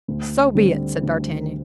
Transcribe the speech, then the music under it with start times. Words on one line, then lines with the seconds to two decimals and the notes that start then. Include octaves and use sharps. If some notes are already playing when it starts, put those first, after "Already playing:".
"So be it," said d'Artagnan.
0.08 D2
0.55 D3 G3 C4
1.03 D2